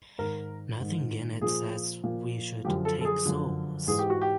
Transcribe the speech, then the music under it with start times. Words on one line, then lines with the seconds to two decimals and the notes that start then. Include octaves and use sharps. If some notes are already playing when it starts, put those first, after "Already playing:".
Nothing in it says we should take souls.
0.18 G#2 D#3 A#4
0.80 G#2 D#3
1.41 A#2 F3 G#4
2.03 A#2 F3
2.65 F#2 D3 F3 G4
2.85 A4
3.01 A4
3.05 G#4
3.26 F#2 D3 F3
3.87 G#2 E3 G#4
3.99 G4
4.10 F#4
4.22 G4